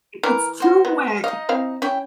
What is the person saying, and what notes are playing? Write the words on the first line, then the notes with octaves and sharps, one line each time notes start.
if it's too wet,
E3 A#4
F#4 C5
B3
D#4 D#5 F5
C4 E4 F5
C#4 E4 G5